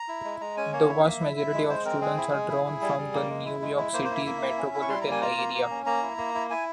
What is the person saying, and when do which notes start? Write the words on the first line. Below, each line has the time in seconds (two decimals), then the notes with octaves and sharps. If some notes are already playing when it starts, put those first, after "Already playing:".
The vast majority of students are drawn from the New York City metropolitan area.
Already playing: A#5
0.08 E4
0.24 G#3
0.40 G#3 A#5
0.57 C#4 G#5
0.73 A#3 C#5
0.89 E4
1.05 A#3 E5
1.20 E4
1.37 E4
1.53 G#3
1.69 G#3 C5
1.85 C4 A#4
2.01 G#3 G#4
2.17 E4
2.33 G#3
2.49 E4
2.65 E4
2.82 G3
2.97 G3
3.14 A#3
3.29 G#3
3.45 E4
3.62 G#3
3.77 E4
3.93 A#3 C5
4.04 C5
4.10 E4
4.15 E5
4.26 A#3 E5
4.42 E4
4.58 C#4
4.74 E4
4.82 C#6
4.89 G3 C6
5.01 A#5
5.06 A#3
5.11 G#5
5.22 F4 A#5
5.38 A#3
5.54 A#3
5.70 C#4
5.86 A#3 A#5
6.03 E4
6.18 A#3
6.34 E4
6.50 E4 G#5